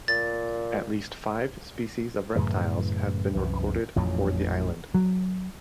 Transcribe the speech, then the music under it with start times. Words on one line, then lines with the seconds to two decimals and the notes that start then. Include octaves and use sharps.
At least five species of reptiles have been recorded for the island.
0.08 A#2 A6
2.36 F#2 A2 C#3 E3
3.35 C2 F#2 E3
3.96 A1 F2 A#2 F#3
4.95 F#3